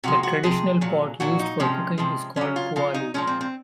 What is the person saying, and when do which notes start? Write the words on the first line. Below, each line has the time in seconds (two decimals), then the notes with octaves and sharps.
The traditional pot used for cooking is called "kuali".
0.04 C3 F3 G#3 F#4
0.23 F#4
0.43 C3 F3 G#3 G#4
0.81 A#2 F#3
1.20 A#2 F#3 F#4
1.39 D#4
1.60 C3 F3 G#3 C#4
1.98 C3 F3 G#3
2.36 C#3 F#3 C#4
2.56 F4
2.76 C#3 F#3 F4
2.94 D#4
3.14 A#2 F3 G#3 C#4
3.27 C4
3.41 C4